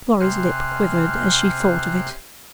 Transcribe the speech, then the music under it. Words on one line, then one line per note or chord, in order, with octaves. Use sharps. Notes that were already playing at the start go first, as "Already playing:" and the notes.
Florrie's lip quivered as she thought of it.
C3 C5 G#5 F6 F#6